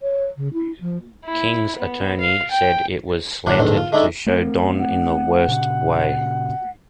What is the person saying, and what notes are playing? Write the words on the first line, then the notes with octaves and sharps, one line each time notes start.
King's attorney said It was slanted to show Don in the worst way.
C#5
C#3
E4
F3
E4
B3
F5
G5
A#1 A2 D3 F#3 D4 F#5
A#1 E2 G#2 D3
F4
G#3 A3 D4 D#4 G#4 A4
A3 C4 A#4
F#5
A#2 C#3